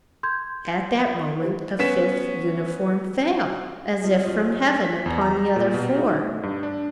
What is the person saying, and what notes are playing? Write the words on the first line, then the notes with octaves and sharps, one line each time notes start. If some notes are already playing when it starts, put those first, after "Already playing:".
At that moment, a fifth uniform fell, as if from heaven, upon the other four.
C6 G6 G#6
G4 C5
B3 C#4 B6 E7
C4 F4 D#5 A5
F#1 C#4 F4 G4 C5 D#6
C#5
B6
E2
A#5
A#2
B2
D#4
A3
G2
D4